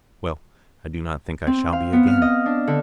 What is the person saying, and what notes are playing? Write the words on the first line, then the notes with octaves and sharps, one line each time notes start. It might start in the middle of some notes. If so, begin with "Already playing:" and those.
Well, I do not think I shall be again.
C4
F5
B3
F6
D#5
D4
D3